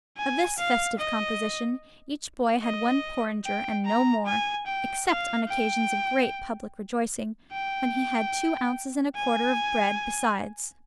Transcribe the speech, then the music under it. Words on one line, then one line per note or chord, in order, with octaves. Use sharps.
Of this festive composition each boy had one porringer, and no more--except on occasions of great public rejoicing, when he had two ounces and a quarter of bread besides.
G#5
F5
D#5
D#5
G5
A#5
G#5
G5
F5
G5
G5
G#5